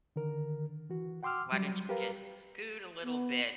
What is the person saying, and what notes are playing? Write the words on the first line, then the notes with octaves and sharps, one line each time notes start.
Why don't you just scoot a little bit
D3 D#3 A#4
E3 F#4
F#5 G5 C6 D6 E6 F6
F#3 G3
G4 A#4 B4 F5 A#5
B3